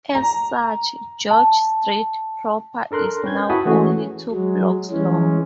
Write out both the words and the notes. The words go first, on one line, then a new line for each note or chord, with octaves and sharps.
As such, George Street proper is now only two blocks long.
A#5
A5
D4 A4 A#4 C6 F#6
C#4 B4 G5 G6 G#6
E4 F#4 F#5 A5 B5 D#6
E3 A3 C#4 F#4 G#4
F#3 G#3
E3 G#3 C#4